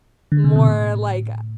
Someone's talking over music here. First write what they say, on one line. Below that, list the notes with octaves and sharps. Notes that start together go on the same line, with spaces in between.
more like a
D3
C3
B2
A2